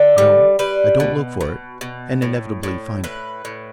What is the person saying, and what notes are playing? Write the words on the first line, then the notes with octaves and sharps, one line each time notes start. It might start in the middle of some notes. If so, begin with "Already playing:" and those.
No--I don't look for it--and inevitably find it.
Already playing: D3 A4
G3
G3 B4
B2
B2
B2
A2
A2
A2 B4
A2